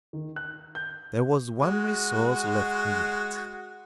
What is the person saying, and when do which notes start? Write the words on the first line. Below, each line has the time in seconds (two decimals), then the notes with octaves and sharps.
There was one resource left me yet.
0.13 D#3
0.36 F#6
0.75 G6
1.58 G#3 F#4